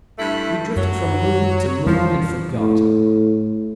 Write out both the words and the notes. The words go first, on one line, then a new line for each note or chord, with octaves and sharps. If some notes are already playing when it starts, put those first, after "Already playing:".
We drifted from mood to mood and forgot.
G2 A3 E4
F#2 F#3
F2 E3 F3 G3
A2